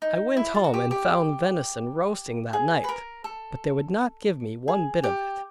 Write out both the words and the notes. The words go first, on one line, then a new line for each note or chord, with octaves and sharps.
I went home and found venison roasting that night, but they would not give me one bit of it.
D#4
E4
F4
F#4
G4
G4
G#4
B4
A#4
A4
G#4
G4